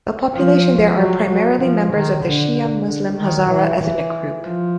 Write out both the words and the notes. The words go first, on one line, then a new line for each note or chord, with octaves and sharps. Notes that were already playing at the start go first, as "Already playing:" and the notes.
The population there are primarily members of the Shia Muslim Hazara ethnic group.
F3
F#3
F#3
F3
D#3
D3
D3
D#3
E3
E3
F3